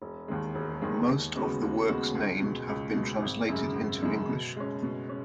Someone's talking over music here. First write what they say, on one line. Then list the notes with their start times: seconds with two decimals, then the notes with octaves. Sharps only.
Most of the works named have been translated into English.
0.02 E1
0.28 D#2 D#3 G#3
0.55 E1
0.82 D#2 D#3 G#3
1.08 D#2
1.36 C#3 G#3 B3 F#4
1.62 D#2
1.88 C#3 G#3 B3 F#4
2.15 C#2
2.42 B2 G#3
2.69 C#2
2.95 B2 G#3
3.22 G#1
3.49 F#2 C#3 G#3
3.76 G#1
4.02 F#2 C#3 G#3
4.29 B2
4.57 G#3 C#4
4.83 B2
5.09 C#4